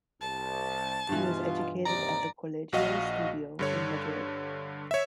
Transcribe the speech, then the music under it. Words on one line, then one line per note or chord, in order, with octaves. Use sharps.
He was educated at the "Colegio Estudio" in Madrid.
C2 A5
G2 B2 E3 F4
D#2 C3 D5 A#5
A#1 F#4 D#5 F5
G2 D3 C#5
C#5 E5